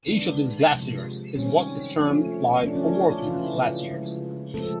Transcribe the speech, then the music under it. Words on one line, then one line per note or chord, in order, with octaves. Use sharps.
Each of these glaciers is what is termed 'live' or 'working' glaciers.
D#3 G#3 B3 D4
C3 F3 G#3
D#3 G3 C4 C#4
F3 A3 C#4
F3 A3 C#4 D4
C#4
D4
F4
C#3 E3 F3 A3 C#4 E4
C#3 F3 G#3
F3 G#3 A3 C4 A4